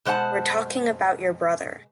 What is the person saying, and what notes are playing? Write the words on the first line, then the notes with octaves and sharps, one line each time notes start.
We’re talking about your brother.
B2 G#3 C5 F#5 A5